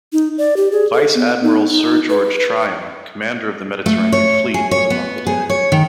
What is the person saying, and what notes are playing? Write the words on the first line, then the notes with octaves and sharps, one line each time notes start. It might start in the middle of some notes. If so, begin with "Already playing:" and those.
Vice-Admiral Sir George Tryon, commander of the Mediterranean Fleet, was among the dead.
D#4
D5
G4
G#4
A4
B3
D#4
D#4
B4
A3
C#5
G#4
C#5
B3
G#4
C#5
D#3